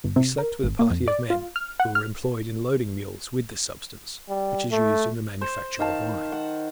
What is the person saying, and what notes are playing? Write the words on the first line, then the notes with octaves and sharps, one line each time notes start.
We slept with a party of men, who were employed in loading mules with this substance, which is used in the manufacture of wine.
G1
C3
A#4
G#1
A#3
F2
D5
F4
F6
F#5
F6
G3
A3
C5
D#3 F5 A5
F#5